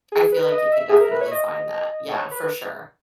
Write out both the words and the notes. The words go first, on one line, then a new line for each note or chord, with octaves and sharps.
I feel like you could definitely find that, yeah, for sure.
G#4
B4
D#5
E5
G#4
A#4
B4
C#5
D#5
C#5
B4